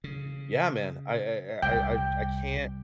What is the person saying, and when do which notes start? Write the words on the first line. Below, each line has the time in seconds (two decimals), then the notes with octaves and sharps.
yeah, man, I I I I I can't
0.04 C#3
1.62 C2 G3 G5